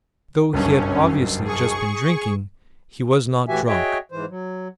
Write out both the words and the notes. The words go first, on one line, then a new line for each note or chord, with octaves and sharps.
Though he had obviously just been drinking, he was not drunk.
F#1 B1 G2 C#4
G#4 C#6
A2 E3 F#4 G4 E5 G#5
F#4 G#4 C#5 D#5 E5 G5
G#2 E3 C5
F#3